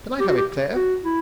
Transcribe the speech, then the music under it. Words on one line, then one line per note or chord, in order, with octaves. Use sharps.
Can I have it, Claire?
G4
F#4
G4
F#4
E4